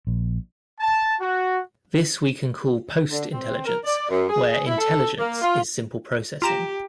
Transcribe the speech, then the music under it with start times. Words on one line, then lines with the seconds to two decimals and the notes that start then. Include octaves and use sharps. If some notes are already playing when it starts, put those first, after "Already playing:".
This we can call "post-intelligence" where "intelligence" is simple processing.
0.07 A#1
0.80 A5
1.21 F#4
3.11 D3
3.32 C4
3.66 A#4
3.84 D5
4.09 F#2
4.29 G#4
4.67 E4
4.78 A4
5.19 A#3
5.42 F4
6.42 F4 G4 A#5 E7